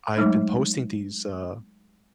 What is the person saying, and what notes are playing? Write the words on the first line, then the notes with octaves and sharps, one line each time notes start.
I've been posting these, uh,
F#3 G#3 A3 D#4